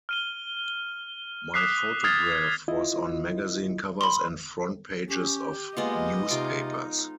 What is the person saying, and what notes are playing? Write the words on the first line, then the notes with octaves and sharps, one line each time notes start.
My photograph was on magazine covers and front pages of newspapers.
F6 D#7 G7
D6 D#6 F#6 B6 C7
D#6 F6 G#6 A6 C7
E4 F4 D#5
B5 C6
C#4 G4
G#3 A#3 B3 F4 D#5
C3 D#4 F4 D6